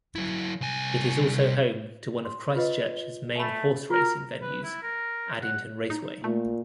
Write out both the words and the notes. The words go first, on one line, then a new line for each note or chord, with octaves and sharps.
It is also home to one of Christchurch's main horse-racing venues, Addington Raceway.
F#3 E4
C2 G#5
C6
F4 B4 D#5
A3 G#5 B5
F4 F#4 A#4
B4
E4
A#4
F#5
D#4
A#2 A3